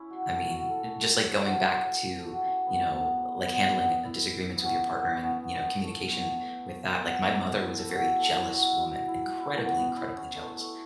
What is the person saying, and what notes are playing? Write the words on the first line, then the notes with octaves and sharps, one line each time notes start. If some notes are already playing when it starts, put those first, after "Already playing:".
I mean, eh, just like going back to, you know, like, handling, uh disagreements with your partner, and, you know, communication with that like, my mother was a very jealous woman, incredibly, incredibly jealous,
Already playing: C#4 E4
F#4
A4
F#4
A4
A4
A4
F#4
A4
F#4
C#4
B3
B3
B3
B3
E4
B3
C#4
B3
B3
C#4
B3
A3
B3
A3
B3
C#4
E4
A4
F#4
A4
E4
F#4
F#4
E4
E4
C#4
B3
C#4
B3
E4
C#4
A3
A3